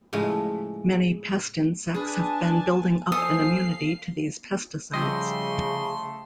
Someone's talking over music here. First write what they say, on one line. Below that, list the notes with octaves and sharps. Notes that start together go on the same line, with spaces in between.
Many pest insects have been building up an immunity to these pesticides.
A2 C#3 F3 G#3 A3
D4 G#4 B4 G#5 A5
F3 A4 F5 G#5 D#6 C7
C#3 F3 G3 A3 G4 D#5 C6